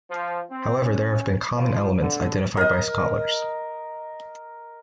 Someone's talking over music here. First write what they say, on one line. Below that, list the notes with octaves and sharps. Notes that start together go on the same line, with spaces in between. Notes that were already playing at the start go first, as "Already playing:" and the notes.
However, there have been common elements identified by scholars.
F3
C4
C#4
F3
D3
A#4 D#5